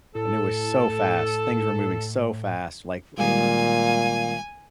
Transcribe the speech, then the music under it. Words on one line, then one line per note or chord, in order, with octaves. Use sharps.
And it was so fast; things were moving so fast. Like, whe
A2 A4
A#2 D#3 G3 G#3 F5 G#5